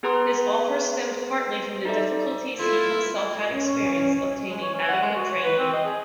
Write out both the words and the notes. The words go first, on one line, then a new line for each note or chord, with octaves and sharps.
His offer stemmed partly from the difficulties he himself had experienced obtaining adequate training.
B3 G#4 B4 A#5 C6 D#6
D#4 A4 C5 D5 E5
E4 F4 A4 C6
C#4
G#3
C#5
C#4
F#5
G#3
F#4
C#5
B4
C4
D#5
G#4